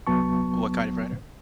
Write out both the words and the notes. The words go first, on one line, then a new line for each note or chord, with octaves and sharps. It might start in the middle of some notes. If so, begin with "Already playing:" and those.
what kind of writer?
C2 F#3 B3 A5 C#6